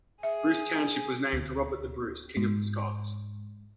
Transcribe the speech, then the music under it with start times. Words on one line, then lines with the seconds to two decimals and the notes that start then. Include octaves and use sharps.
Bruce Township was named for Robert the Bruce, King of the Scots.
0.23 G#4 E5
1.33 D2
2.37 G#2